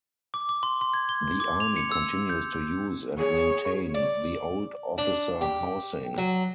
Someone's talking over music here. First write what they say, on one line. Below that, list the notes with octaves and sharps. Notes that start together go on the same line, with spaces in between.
The Army continues to use and maintain the old officer housing.
D6
D6
C6
C6
G#6
G7
D6
F7
C#7
E6
G6
G#4 C#5
D5
D4
G4
F#3